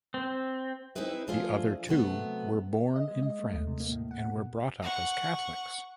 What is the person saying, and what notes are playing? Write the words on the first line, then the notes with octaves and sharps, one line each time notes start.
The other two were born in France and were brought up as Catholics.
C4
C4 D#4 E4 G#4 B4 E5
F3 A3 D4 F4 G#4 C5
C3 F#3 A3 B3
D#5
G#3
D#5
A3
D#2
C3
A#3
A2
F#5
B2
F#5 C#6